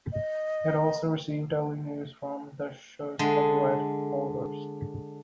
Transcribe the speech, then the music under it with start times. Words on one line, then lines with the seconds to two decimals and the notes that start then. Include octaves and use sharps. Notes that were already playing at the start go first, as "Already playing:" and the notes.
It also received early news from the show's copyright holders.
0.12 D#5
3.19 D3 G#3